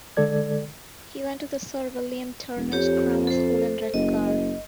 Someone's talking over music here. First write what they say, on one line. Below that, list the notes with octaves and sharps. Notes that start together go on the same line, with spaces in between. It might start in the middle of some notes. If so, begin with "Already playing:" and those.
He went to the Sir William Turner's Grammar School in Redcar.
D3 G#3 A4 D5 G#6
E1
F2 G4 C#5
A4 C5
F#1 D#5